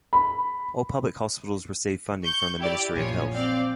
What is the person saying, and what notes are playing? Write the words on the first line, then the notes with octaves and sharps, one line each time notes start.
All public hospitals receive funding from the Ministry of Health.
B5
C#6 G6
E4 G4 D5
A#1 F#2 F3 B3 C#5 G#5
C4 D5 F5